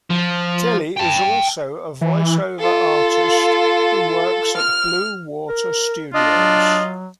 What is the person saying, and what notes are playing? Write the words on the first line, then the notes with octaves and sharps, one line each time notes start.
Kelly is also a voice-over artist who works at Blue Water Studios.
F3
G5 A5
E3
F4 A4
F6
A#4
D4 F4 D#5
F#3